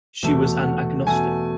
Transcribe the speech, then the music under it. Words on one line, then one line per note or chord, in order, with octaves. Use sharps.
She was an agnostic.
E2 B2 A3
F#5
E2 B2 A3 G#5